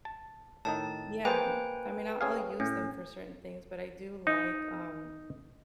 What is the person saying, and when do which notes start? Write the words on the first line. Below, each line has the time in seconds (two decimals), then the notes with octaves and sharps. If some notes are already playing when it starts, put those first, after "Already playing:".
yeah. I mean, I'll I'll use them for certain things, but I do like, um,
0.05 A5
0.65 A2 D#3 D#4 A5
1.25 A#3 G#4 B4 C5 G5 G#5
2.21 C#4 G#4 F5
2.60 A2 C#4
4.27 D#4